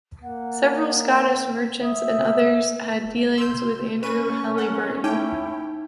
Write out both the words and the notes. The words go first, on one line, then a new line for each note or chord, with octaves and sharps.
Several Scottish merchants and others had dealings with Andrew Halyburton.
A#3 F#5
E5 D#6
C6 E6 G6
C#4 B4 C#6 D#7
A#4 F#5
D#4 E4 G5